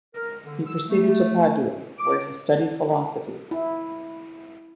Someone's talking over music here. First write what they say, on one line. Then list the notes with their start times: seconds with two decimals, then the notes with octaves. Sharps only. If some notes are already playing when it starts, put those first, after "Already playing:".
He proceeded to Padua, where he studied philosophy.
0.14 A#4
0.44 D3
0.66 E6
0.89 A3
1.98 D6
3.51 E4